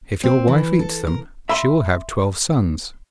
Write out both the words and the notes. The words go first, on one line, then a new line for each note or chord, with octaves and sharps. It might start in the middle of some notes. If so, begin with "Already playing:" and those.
If your wife eats them, she will have twelve sons.'
C4
E3
A4
A#4
E5 B5 C6